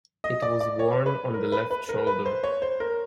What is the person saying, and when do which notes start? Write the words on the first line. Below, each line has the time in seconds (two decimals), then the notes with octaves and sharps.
It is worn on the left shoulder.
0.24 D#5
0.42 D5
0.61 D5
0.79 C#5
1.06 B4
1.34 A#4
1.52 B4
1.71 B4
1.89 A#4
2.07 B4
2.26 C5
2.44 C#5
2.62 C5
2.80 A#4